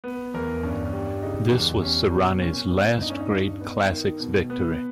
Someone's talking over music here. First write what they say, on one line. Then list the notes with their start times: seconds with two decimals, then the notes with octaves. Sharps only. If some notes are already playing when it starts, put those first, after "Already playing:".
This was Saronni's last great classics victory.
0.04 B3
0.34 E2 A#4
0.63 G2 C#4
0.93 G3
1.22 C#3 D#4
1.53 E2
1.82 G3 C#4
2.12 B2
2.41 A#2 C#4
2.71 B3
3.01 G2 D#4
3.10 C#4
3.20 D#4
3.31 G2
3.61 B3
3.90 D#3
4.20 B2
4.50 B3